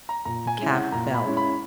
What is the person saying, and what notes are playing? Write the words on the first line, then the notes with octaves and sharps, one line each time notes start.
The calf fell.
A#5
A#2 A#5
G#5
G#3 C#4 E4
F#5
A#2 A#5
B5
G#3 C#4 E4
B5